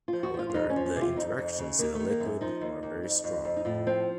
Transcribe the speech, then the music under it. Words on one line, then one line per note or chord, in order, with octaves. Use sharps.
However, the interactions in a liquid are very strong.
F3 F4
F#4
F3 F4
F4
F2 D#4
C#4
F3
C#4
C3
F4
F2 D#4
F2
C#3
D#3 A#3
D#3 A3
A#3
F#2
C#4
F3 D#4
D#2
D#2
F2
F2
F2
D#4
A2 F4
F3 C4